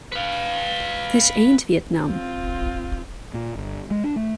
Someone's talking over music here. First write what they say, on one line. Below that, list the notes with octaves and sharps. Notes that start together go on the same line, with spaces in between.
This ain't Vietnam.
B4 F5
C4 F4
A#2
G1
G#3
D4
A3